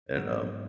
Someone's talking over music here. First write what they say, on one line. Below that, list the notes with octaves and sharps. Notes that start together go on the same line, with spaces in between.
and, um,
G#2 F#3 B3